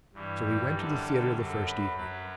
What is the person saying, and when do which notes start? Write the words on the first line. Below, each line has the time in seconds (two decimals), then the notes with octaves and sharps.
So we went to the theatre the first evening.
0.13 G2 E3 G3
0.45 G4
0.74 F#2 D3 G3 A4
1.36 F#2 F#3 A4
1.66 B4
1.97 F#2 F#3 B4